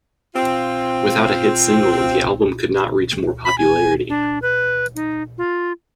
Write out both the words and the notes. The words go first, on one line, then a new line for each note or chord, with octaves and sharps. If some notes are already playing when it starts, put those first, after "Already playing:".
Without a hit single, the album could not reach more popularity.
C4 F4
B5
G#5
D4
B4
D#4
F4